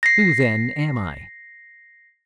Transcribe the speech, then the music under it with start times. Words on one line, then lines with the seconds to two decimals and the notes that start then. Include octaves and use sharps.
"Who, then, am I?"
0.03 A#6 C7